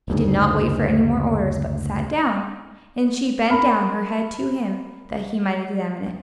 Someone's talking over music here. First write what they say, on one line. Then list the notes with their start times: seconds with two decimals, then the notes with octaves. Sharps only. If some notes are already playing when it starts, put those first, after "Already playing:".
He did not wait for any more orders, but sat down, and she bent down her head to him, that he might examine it.
0.08 F#1 D2 G#2
3.50 A#4 B5 F6